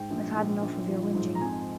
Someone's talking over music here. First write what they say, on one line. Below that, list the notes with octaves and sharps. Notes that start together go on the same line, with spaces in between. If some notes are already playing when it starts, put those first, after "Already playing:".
I've had enough of your whinging.
Already playing: G#2 G5
A#1
A#1
A#1
F3
G#2
A#5
F2 G#5